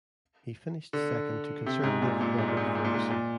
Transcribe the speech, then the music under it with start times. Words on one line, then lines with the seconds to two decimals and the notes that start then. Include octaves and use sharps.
He finished second to Conservative Robert Ferguson.
0.93 D3
1.66 C3
1.84 G#2
2.02 A#2
2.21 A#2
2.39 G#2
2.48 A#2
2.57 G#2
2.66 A#2
2.75 G#2
2.84 A#2
2.94 G#2
3.10 A#2